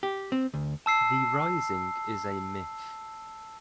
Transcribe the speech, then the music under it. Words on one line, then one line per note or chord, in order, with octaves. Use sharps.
The rising is a myth.
G4
C4
D2
A5 E6 C7